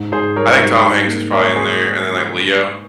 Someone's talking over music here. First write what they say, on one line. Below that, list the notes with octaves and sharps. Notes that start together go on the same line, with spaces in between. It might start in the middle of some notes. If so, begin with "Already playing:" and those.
I think Tom Hanks is probably in there and then like Leo.
Already playing: G#2
G#2 G#4 C5
G3 A#4 C#5
G#2
G#2
A#3
G#2 A#4 C#5
G#4 C5